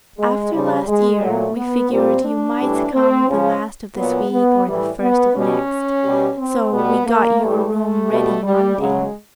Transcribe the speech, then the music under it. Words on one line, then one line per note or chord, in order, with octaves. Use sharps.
"After last year, we figured you might come the last of this week or the first of next, so we got your room ready Monday."
G#3
C#3 F3 G3
G#3
A#2 F#3 A3
B3
A#2 G3 C4
D4
A2 E3 G3
C4
C#3 F3 C#4
A#2 F#3 B3
B3
A2 E3 G3
B3
B2 G3 C#4
B2 G3
C4
B2 G3 B3
A#3
A2 E3 G3 A3
A3
B2 G3
G3
C#3 F#3 G#3